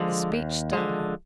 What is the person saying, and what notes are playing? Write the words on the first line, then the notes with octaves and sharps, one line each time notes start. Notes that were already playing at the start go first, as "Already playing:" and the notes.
The speech stung her.
Already playing: D3 F3 G#3
D#2
D3 F3 G#3